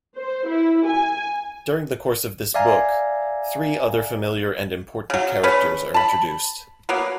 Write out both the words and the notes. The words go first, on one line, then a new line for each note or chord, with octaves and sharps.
During the course of this book, three other familiar and important characters are introduced.
C5
E4
G#5
D5 E5 F5 G#5 A#5
C#3 F#3
C#3 B4 C#5
A5 B5
F#3 A#3 B3